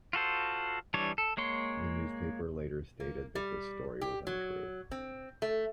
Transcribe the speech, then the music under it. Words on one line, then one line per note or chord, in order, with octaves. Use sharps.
The newspaper later stated that this story was untrue.
F4 F#4 A4 C5
E3 G3 D4 C#5
A4
G#3 A#3 C#5 C6
A#3
G3
G4
F#3
C4
A3